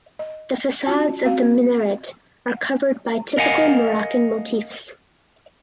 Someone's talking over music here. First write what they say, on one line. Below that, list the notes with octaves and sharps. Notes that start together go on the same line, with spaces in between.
The facades of the minaret are covered by typical Moroccan motifs.
D#5
C#4 F4 F#4 A5
C4 F#4 F5
A#4 D#5 F5 F#5 G#5